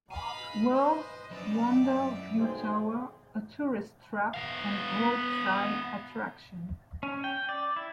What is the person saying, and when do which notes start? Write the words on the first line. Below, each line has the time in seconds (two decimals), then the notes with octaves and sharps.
World's Wonder View Tower, a tourist trap and roadside attraction.
0.11 B4 D#5 F5 G#5 B5
0.74 C5
1.31 F#3 C#4 D5 E5
2.38 B1 G#3 G#4 C5 G5
4.34 B3 F5
7.03 C#4
7.24 G5
7.49 D5
7.76 E4